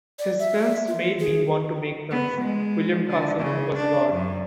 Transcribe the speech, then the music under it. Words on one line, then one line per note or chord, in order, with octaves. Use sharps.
His films made me want to make films ... William Castle was God.
D5
E5
F4
G#4
B3
G#3
D3
C#3
D4
F#2